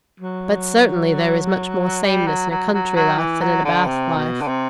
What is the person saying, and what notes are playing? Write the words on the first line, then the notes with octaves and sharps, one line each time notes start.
But certainly there is much more sameness in a country life than in a Bath life.
F#3
G3
F#3
F#3
F#3
F#3
E3
F#3
D3
C3
B2
D3
C3